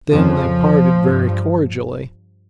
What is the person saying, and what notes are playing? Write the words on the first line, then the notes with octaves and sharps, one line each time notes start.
Then they parted very cordially.
F2 C#3 F3
G2